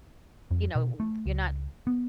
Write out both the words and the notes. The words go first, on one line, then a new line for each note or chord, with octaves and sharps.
you know, w you're not
F2
B2
A3
C#2
B3